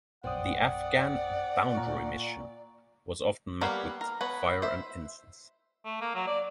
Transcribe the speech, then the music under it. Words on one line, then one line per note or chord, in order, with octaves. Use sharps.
The Afghan Boundary Mission was often met with fire and incense.
A#1 F#2 C4 D5 F#5 D#6
A#2 A#5 C#6
G3 A#3 B3 C#5 F5
A#4
B3 B4 C#5
C5 E5
A3
A#3
F#3
D5